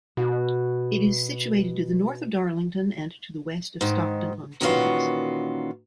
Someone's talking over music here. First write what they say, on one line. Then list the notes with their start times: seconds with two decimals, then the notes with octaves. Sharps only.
It is situated to the north of Darlington, and to the west of Stockton-on-Tees.
0.17 B2 F#4
3.81 G#2 D#3
4.61 A#2 D#3 E3 C#4 F4 F#4